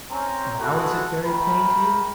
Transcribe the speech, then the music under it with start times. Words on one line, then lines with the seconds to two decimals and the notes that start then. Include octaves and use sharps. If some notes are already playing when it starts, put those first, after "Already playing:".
Now is it very plain to you?
0.11 C4 C#4 A#5
0.59 G#3 A3 E4 F#4 G#4 A4
1.25 A3 A#4 G5 B5